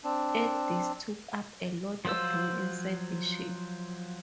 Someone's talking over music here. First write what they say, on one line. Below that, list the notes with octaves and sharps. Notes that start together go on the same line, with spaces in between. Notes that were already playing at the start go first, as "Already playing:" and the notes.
At this took up a lot of room inside the ship.
C4 D4
F3 F#3 F4 C5 E6